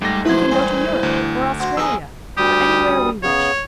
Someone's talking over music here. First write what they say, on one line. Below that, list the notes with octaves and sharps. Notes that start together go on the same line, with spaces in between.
We can go to Europe, or Australia, or anywhere we wish.
G#2 G3 A3 A#6
B1 F3 E4 B4 C5 C6 G#6
G2 E3 G#5
D2
E4 F#4 C5
F2 G#4 B4 D#5 E6
D2 G3 G4 D#6
C#3 B3 C#5